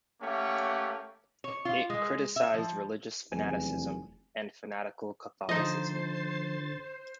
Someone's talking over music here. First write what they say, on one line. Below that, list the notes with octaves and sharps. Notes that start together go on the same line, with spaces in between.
It criticized religious fanaticism and fanatical catholicism.
A3 A#3 C#4 G4 C#5 F#5
C#5
F4
G#3
E5
F3
F1 E2 F#3 G#5
D3 F3 D#4 C5 D#5 C6 A6